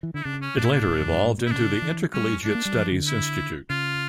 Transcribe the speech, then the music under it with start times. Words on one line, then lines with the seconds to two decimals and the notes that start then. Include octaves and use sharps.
It later evolved into the Intercollegiate Studies Institute.
0.03 E3
0.14 D3 E4
0.25 C#3 D4
0.42 C#4
0.57 A#2 D4
0.65 E4
0.73 D4
1.00 F2
1.13 G2
1.25 A2
1.38 A#2
1.46 E4
1.51 C#3 D4
1.82 E3
2.14 G3 C#4
2.44 A3 D4
2.55 A#3
2.65 G3
2.76 F3
2.92 D3
3.07 E4
3.70 C#3 F4